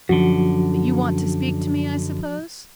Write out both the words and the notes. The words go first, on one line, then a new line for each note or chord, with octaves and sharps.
"But you want to speak to me, I suppose?"
F#2 D3 F3 F#4